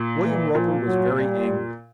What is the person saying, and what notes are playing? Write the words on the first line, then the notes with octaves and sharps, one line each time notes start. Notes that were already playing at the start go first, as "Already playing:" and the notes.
William Roper was very angry.
Already playing: A#2
E3
A#2 F3
F#3
G3